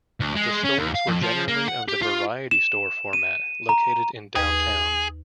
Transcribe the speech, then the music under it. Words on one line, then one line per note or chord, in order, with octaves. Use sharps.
The stores were generally of the variety store format located in downtowns.
D2
G#3
C#4
D#2
F5
F2
F3
A#3
F#5
G4
F4
E7
D#7
A#5
D#2 G#4 B4